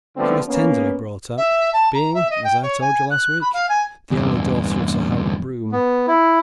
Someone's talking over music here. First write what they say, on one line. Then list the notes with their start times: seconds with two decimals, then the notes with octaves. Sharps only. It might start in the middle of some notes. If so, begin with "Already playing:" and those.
She was tenderly brought up, being, as I told you last week, the only daughter of Sir Harold Broome.
0.16 D3 F3 G3 A3 B3 C4
0.47 A#3 B3 C#4
1.38 E5
1.73 A5
1.94 A#5
2.14 E5
2.31 D#5
2.44 G5
2.63 C#5
2.81 G#5
3.10 F#6
3.41 B5
3.53 F5
3.69 G#5
4.11 E2 G2
5.72 B3
6.07 E4